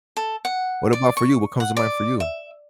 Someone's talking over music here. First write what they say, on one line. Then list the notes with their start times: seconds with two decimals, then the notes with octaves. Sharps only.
what about for you? What comes to mind for you?
0.17 A4
0.45 F#5
0.93 D5
1.17 C#6
1.60 F#5
1.77 D5
2.20 E5